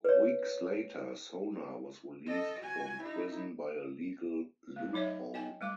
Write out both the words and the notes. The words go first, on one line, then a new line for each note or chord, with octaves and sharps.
Weeks later, Sonar was released from prison by a legal loophole.
B4 C#5
A4 D#5
F#4 G#5
D#4 E4
A3
F#3 D#4 C#5 D#5 E5
D#5 G5 G#5
G3 A3 D6